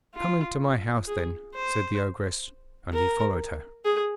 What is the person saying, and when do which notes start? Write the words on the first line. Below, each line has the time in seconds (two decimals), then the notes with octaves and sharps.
'Come into my house, then,' said the ogress, and he followed her.
0.15 F4
1.08 G#4
1.55 C5
2.93 A#4
3.85 G#4